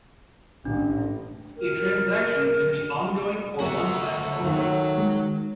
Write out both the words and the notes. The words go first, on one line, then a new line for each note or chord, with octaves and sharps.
A transaction can be ongoing, or one-time only.
A1 D4
A#4
A3 F#4 A#4
D#3 F#3
G#3